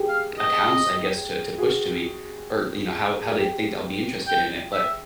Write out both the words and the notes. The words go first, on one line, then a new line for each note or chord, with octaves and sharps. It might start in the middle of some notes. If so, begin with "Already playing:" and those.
accounts, I guess, to to push to me, or, you know, how how they think I'll be interested in it. But
Already playing: G4 G#4
F5
D#5
F#4 G#4
G4
G5
E5